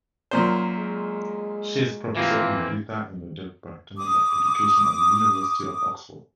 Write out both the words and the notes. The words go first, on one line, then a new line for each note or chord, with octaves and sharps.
She is Professor Emerita in the Department of Education at the University of Oxford.
F#2 A#2 C5
G#3
E3 A#3 C4 F4
D6 D#6